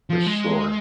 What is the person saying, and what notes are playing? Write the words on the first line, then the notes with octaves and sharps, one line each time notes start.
For sure.
F3
G#3